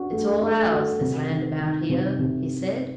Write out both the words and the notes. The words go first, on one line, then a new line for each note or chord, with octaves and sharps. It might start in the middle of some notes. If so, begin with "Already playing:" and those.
"It's all ours, this land about here," he said.
Already playing: D4 F#4
A3
A3
F#4
C3
D#3
D#3
C3
C3